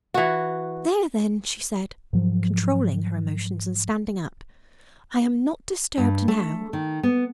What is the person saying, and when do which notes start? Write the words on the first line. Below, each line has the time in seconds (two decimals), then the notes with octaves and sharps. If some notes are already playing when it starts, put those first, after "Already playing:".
"There then," she said, controlling her emotion, and standing up; "I am not disturbed now."
0.14 E3 F#4
2.13 G#2 F3 F#3
5.98 G2
6.28 A3
6.73 D#3
7.03 B3